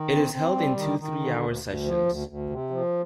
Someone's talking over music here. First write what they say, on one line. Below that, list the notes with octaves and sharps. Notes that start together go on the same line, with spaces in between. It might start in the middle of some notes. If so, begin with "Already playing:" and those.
It is held in two three-hour sessions.
Already playing: D#3
C4
C4
G3
D#3
D#3
D3
D2
D2
F3
D2
D2
C3
F3